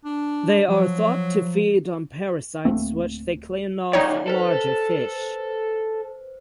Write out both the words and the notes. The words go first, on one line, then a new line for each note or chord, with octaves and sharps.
They are thought to feed on parasites which they clean off larger fish.
D4
F3 F#3
D1 A3 A#3 C4
F#2 A#2 D#4 C#5 D5 G5
A4 B4 C5